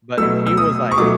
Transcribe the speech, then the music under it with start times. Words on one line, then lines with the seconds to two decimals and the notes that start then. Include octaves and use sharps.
but she was, like,
0.17 B2 F#3 A3 E6
0.47 E6
0.57 D#6
0.92 C#6
0.98 B2 F#3 A3 D6